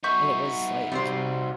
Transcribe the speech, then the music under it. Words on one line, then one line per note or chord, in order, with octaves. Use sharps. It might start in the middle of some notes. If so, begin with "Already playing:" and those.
and it was like,
D#4 F#4 E5 C#6 G6
C3 G3 C4 C5